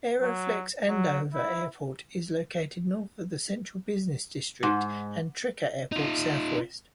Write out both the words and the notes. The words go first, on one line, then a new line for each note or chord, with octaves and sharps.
Aeroflex-Andover Airport is located north of the central business district and Trinca Airport, southwest.
F#3
F#3
E4
G#2
D#4 F4